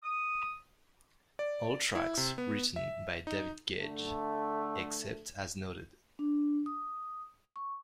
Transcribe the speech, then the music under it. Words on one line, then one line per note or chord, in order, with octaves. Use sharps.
All tracks written by David Gedge except as noted.
D#6
D5
E4
C3
B3
E5
D#4
D3 A3
D4
D#6
C#6